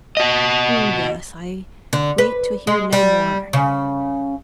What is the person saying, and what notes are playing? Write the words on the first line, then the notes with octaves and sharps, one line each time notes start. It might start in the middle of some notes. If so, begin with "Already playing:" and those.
Hearing this, I wait to hear no more.
F#4 D#5
D3
B4
G#3
G3
C#3